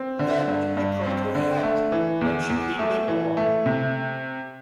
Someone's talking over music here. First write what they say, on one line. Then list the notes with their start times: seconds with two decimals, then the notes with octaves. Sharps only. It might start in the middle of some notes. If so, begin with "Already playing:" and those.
Then he brought her hat, and she pinned it on.
Already playing: C4
0.19 D3
0.48 G2
0.77 G2
1.06 C4
1.35 D3
1.63 A3
1.92 E3
2.21 E2
2.50 E2
2.79 A3
3.08 E3
3.37 A3
3.66 C3